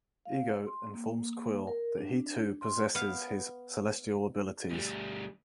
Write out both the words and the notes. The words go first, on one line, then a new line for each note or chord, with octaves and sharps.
Ego informs Quill that he too possesses his Celestial abilities.
F5
C6
A#3
A#4
D4
C6
B3 F5
D2 G3